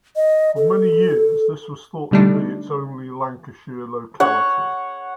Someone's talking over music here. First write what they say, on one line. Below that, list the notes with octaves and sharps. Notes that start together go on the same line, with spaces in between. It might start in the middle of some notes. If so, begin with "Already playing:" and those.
For many years this was thought to be its only Lancashire locality.
D#5
A4
B2 D3 G3 A3 D4 D#4
C#5 F#5